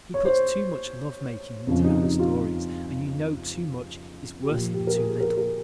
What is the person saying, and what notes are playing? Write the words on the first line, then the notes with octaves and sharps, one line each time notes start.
She puts too much lovemaking into her stories and you know too much is worse than too little.
C#5
C5
F2 C#3 F3
D#4
D#4
F4
G4
A#2 F3 F4
G4
A#4
G#4
A#4
A#4